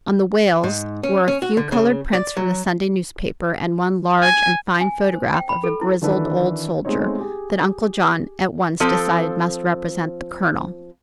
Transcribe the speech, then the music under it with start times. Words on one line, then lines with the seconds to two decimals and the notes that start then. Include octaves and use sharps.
On the wails were a few colored prints from the Sunday newspapers and one large and fine photograph of a grizzled old soldier that Uncle John at once decided must represent "the Colonel."
0.64 G#2
1.03 C#4
1.28 C#4
1.42 F#4
1.57 D3
1.72 C#3
2.13 D5
2.37 F#3
4.22 G#5
4.81 G#5
5.14 C5
5.34 G5
5.49 B5
5.64 A4
5.81 E4
6.02 D#3 E3 D4 F#4 A4 B4
6.85 G#3 A3 B3 C4 D#4 C#5
7.18 G4 G#4
8.80 F3 C4 A4